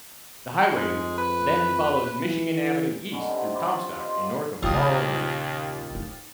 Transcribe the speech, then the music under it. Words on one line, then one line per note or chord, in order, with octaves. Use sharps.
The highway then follows Michigan Avenue east through Comstock and north of Morrow Lake.
F2 G#3
B4
E3
D3 B3 C#4 D#4
C3
B3 F4 G4 D5
D5 D#5 F5 C6
F#2
A#1 D#2 C#3 F4 G4 D#6
D#4